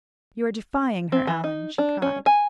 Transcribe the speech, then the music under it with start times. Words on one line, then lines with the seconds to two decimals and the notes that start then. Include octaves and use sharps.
"You are defying her, Allan!" she cried.
1.12 C4
1.27 E3
1.44 D#4
1.78 D4
2.02 C#4
2.26 G#5